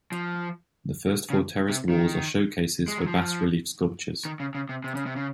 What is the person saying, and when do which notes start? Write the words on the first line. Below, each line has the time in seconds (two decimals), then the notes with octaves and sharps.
The first four terrace walls are showcases for bas-relief sculptures.
0.12 F3
1.30 C#3
1.70 C3
1.90 D#3
2.88 G#3
2.98 F#3
3.07 F3
4.25 D#3
4.40 C#3
4.55 C#3
4.69 C3
4.84 C3
4.95 C#3
5.06 C3
5.16 C#3